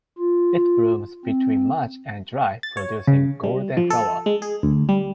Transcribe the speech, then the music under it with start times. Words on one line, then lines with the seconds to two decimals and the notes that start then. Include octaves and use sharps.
It blooms between March and July producing golden flowers.
0.18 F4
1.25 C4
2.63 A6
2.77 C#5
3.07 C#3
3.44 G3
3.77 F3
3.90 A4
4.26 G#3
4.42 G#4
4.63 D2
4.89 G3